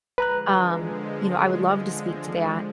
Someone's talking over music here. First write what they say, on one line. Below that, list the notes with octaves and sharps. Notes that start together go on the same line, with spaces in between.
Um, you know, I would love to speak to that.
D3 F3 G#3 B4 A#5 F#6